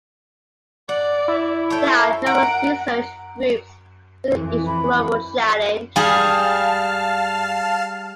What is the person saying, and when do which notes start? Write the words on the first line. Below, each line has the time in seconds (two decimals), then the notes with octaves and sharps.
There are numerous research groups within each Global Challenge.
0.89 D5 F#5
1.28 E4
1.70 A4 C#5 G5
2.26 A#4 F#5 D7
4.30 F2 E3
4.67 B5
5.96 G3 G#4 F5 A5 F6